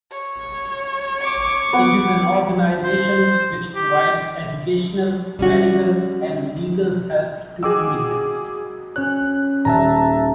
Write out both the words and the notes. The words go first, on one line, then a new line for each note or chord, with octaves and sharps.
It is an organization which provided educational, medical and legal help to immigrants.
C#5
C#6 D6
B3
C5
G4
G3 C#4 F#4
F#4 G#4 D#5 G5 D6 E6
C#4 C#5 F#6
D#1 E5 A5 A#5